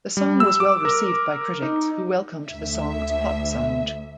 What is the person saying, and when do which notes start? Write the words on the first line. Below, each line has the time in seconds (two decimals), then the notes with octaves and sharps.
The song was well-received by critics, who welcomed the song's pop sound.
0.17 G3
0.40 E6
0.60 D6
0.85 A#4
1.62 D#4
2.47 D2 E5